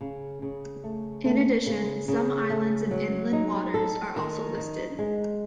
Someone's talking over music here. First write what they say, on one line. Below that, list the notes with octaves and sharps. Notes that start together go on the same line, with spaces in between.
In addition, some islands in inland waters are also listed.
C#3
C#3
A3
A3
C#3
C#3
A3
F#3
D#4
A4
D#3
D#4
G#3